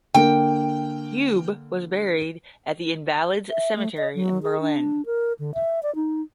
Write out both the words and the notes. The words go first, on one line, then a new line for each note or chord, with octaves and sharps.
Hube was buried at the Invalid's Cemetery in Berlin.
D3 A#3 G5
E5
A3
D#5
F#3
G#4
D4
A#4
D3
E5
D5
D#4